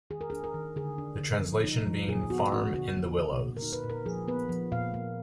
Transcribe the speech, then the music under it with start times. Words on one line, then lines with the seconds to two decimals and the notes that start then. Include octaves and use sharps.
The translation being "Farm in the willows".
0.10 D#3 G#4
0.21 A#4
0.30 D4 G#4
0.44 A#4
0.54 D#3
0.76 D3 G#4
0.98 D4
1.20 D3
1.43 F3
1.64 D#4
1.86 F3
2.08 A#2 G#4
2.30 B3 F#4
2.52 D4 F#4
2.74 D3 F#4
2.96 A#3
3.18 D3
3.40 A#2
3.57 A#4
3.62 D#4
3.73 B4
3.84 A#2
3.90 A#4
4.06 F3 G#4
4.28 B3 B4
4.49 F3
4.72 A#2 F5
4.94 A#3